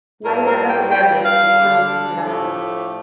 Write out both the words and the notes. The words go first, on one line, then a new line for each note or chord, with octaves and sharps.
Neither of the variants was put into production.
A2 G3 A#3 F4 A4 A#4
A#4
G5
G3 D4 F4 A4 G5
F5
D3 G3 D4 A4
A2 F3 A3 D4 G4